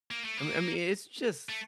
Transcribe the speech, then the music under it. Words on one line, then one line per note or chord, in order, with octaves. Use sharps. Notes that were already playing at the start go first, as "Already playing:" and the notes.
I me I mean, it's just
A#3
A3
A#3
A3